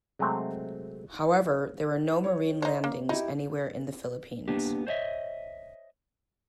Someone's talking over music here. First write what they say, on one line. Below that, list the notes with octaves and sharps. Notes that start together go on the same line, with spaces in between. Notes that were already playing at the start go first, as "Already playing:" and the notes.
However, there were no Marine landings anywhere in the Philippines.
C3 F#3 G#3 A3 C4
C#5
D#4 C5 C#5
A#3
D#4 E4 G4
A#3 B3 D4 G4
C5 C#5 D#5 E5